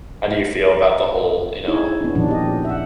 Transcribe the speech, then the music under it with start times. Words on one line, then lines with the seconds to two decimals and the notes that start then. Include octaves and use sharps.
how do you feel about the whole, you know,
1.68 D#4 E4 G#4 C#5
2.01 B3 D4
2.15 A#2 D#3 F3 C#4 D4
2.29 G4 D#5
2.65 E5 F#5